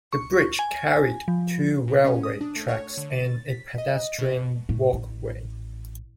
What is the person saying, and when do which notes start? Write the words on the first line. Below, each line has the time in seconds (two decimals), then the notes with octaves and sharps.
The bridge carried two railway tracks and a pedestrian walkway.
0.13 C#6
0.59 G#5
1.28 F3
1.88 B2
2.04 C#4
2.23 D#6
2.41 D4
2.56 A3
2.68 C#5
2.97 D3
3.13 A6
3.46 B6
3.78 D#5
4.19 B2
4.69 A2
4.93 A1